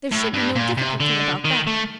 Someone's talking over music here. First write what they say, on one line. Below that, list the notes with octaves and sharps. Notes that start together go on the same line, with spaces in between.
There should be no difficulty about that.
A2
G2
A#2
C3
D3
D#3
A3